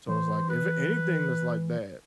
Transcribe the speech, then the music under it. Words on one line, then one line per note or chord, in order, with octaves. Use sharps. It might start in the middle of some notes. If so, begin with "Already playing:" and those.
so, it's, like, if anything that's like that,
E3 C5
B4